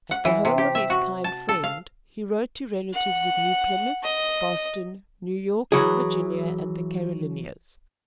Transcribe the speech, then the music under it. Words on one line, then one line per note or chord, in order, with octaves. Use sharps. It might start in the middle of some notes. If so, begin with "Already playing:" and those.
At the home of his kind friend, he wrote to relatives at New Plymouth, Boston, New York, Virginia and the Carolinias.
F#5
E3
C3
G4
E5
F#4
A5
A4
F5
F#5
D#5
E3 F#3 G#4